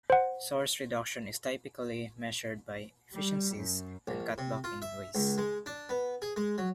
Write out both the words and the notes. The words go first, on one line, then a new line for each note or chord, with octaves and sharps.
Source reduction is typically measured by efficiencies and cutbacks in waste.
C5 F#5
G3
F#2
A#1
C3
F4
E5
C#2
G#3
D4
B3
G#4
G#3
F#3